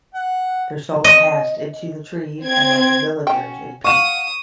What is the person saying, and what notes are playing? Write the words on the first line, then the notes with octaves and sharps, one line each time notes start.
Their souls passed into the trees and left the villagers in peace.
F#5
D#5
C4 G#6
C#4 F#4 G5
F5 F#5 C#6 D#6 E7